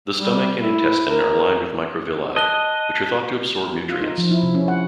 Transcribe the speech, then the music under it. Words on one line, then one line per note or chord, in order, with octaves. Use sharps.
The stomach and intestine are lined with microvilli, which are thought to absorb nutrients.
G3
E4
A#4
D#5 A5 F#6 G7
F4
D#4
F3
E4
C3
C#4
F#5